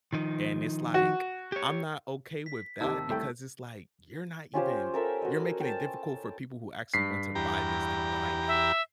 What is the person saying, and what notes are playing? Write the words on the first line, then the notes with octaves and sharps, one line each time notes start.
and it's, like, I'm not okay with that because it's, like, "You're not even you're making it difficult for people who actually want to buy this to buy it,
D#3 F3 D#4
F#4
G4 C#5
B6
D#2 C3 D#3 A5 E6
C2 A3 G5
C#4 F4 G4 C5
A4 A#4 E5
F#4 D#5
G5 A5
G2 B6 C7
E2 G4 A#5
E5